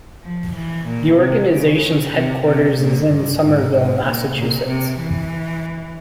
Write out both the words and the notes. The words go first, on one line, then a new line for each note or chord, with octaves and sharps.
The organization's headquarters is in Somerville, Massachusetts.
F3
E3
A#2
C3
C#3
C3
C3
A#2
G2
G#2
G#2
A#2
A#2
C3
E3